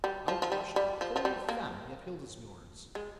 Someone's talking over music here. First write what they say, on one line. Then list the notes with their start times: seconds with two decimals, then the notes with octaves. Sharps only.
Out rushed the whole family of Hildesmullers.
0.04 G3
0.28 F3
0.42 F3
0.52 G3
0.76 G3
1.01 F3
1.16 F3
1.25 G3
1.49 A#3
2.95 G#3